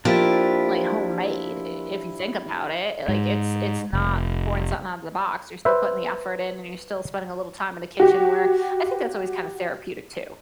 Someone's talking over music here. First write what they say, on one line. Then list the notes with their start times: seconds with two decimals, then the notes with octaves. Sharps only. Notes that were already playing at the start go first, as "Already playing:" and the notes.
like homemade i if you think about it. Like it's it's not pouring something out of the box. You're still putting the effort in and you're still spending a little time in the kitchen where I think that's always kind of therapeutic, too.
0.05 F3 A#3 D4 E4 F4 G4 C5
3.08 G#2
3.93 F1
5.65 B4 C5 E5
8.00 F#4 G4